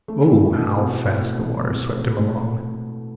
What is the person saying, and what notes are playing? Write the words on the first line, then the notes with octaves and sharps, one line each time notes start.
Oh, how fast the water swept him along!
A3
E4
B2
C4
A3
E4
B2
C4
A3